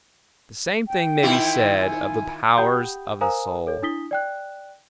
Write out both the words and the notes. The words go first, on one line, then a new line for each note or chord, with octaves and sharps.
The same thing may be said of the powers of the soul.
G5
D#3 E4 F4
G#5
G4 F#5 G5 B5 D#6 G6
A#4 C5 F5 G#5 A#5 D#6
A4 C#5
D4 E4 D#6 B6 G7
D5 G5 F#6